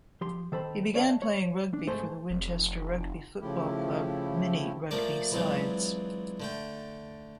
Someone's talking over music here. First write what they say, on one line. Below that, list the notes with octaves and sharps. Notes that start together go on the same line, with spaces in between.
He began playing rugby for the Winchester rugby football club mini rugby sides.
F3 G4 C6
D#3 A4 C5 B5
C#5 D5 E5 F5 G#5 A5
C#5
D4
G#2 A3 G#4 C5
F1
C#3 F3 A3 E4 G4
F3 A3 A#3 A#4 D5
E3 F#3 G#3 C4 D4 F4
D3 A3 G5